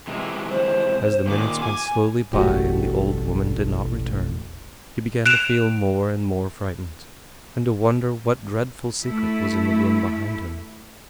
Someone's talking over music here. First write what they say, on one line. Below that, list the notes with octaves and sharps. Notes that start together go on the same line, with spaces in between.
As the minutes went slowly by and the old woman did not return, he began to feel more and more frightened, and to wonder what dreadful secret was in the room behind him.
C3 E3 G#3
C5
A#2 D#3 D6
G#5
E1 A1 A3 F#4 G4
F#6 D7 E7 F7
A3 E4